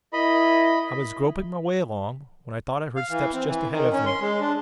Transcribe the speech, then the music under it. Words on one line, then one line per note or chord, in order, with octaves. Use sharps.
I was groping my way along when I thought I heard steps just ahead of me.
E4 A#4 D#5 B5
F5
E3
C4
E3
D#3
C#4
C6
G#3
D4